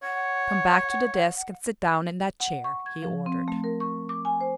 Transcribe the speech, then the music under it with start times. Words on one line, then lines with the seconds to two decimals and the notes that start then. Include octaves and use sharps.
"Come back to the desk and sit down in that chair!" he ordered.
0.03 C#5 F#5
2.40 F#5
2.64 C#6
2.86 G#6
3.03 F3
3.26 C4
3.48 A3
3.64 A#4
3.80 C#6
4.09 D6
4.25 G#5
4.41 C5